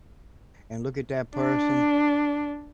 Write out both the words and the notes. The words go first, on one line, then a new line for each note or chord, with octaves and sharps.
and look at that person
D4